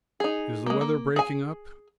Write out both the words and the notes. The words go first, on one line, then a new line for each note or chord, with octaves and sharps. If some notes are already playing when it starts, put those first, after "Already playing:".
Is the weather breaking up?
D#4 G#4
G#3 A#3
A#3
G#4 G#5